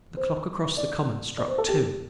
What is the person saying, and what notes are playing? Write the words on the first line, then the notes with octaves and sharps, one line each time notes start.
The clock across the common struck two.
C5
D5
D5
C5
A4
G4